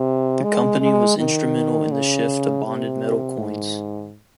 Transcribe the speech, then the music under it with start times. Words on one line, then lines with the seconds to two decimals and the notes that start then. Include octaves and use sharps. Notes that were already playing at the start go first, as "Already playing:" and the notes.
The company was instrumental in the shift to bonded metal coins.
Already playing: C3
0.44 G#3
0.81 G#3
1.17 D#3
1.92 C#3
2.65 C3
3.40 G#2